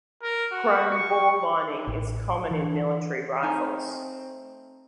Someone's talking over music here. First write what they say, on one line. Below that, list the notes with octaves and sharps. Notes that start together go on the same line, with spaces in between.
Chrome bore lining is common in military rifles.
A#4
F#4
C#6
A1
E3
A3 C4 D#4 G#5 A#5